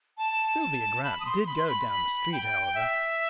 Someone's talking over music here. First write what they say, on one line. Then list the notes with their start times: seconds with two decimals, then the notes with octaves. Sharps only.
Sylvia Grant did go down the street, however.
0.18 A5
1.04 B5
1.20 D#6
1.25 C6
1.47 B5
1.57 C6
1.68 B5
2.32 G5
2.75 E5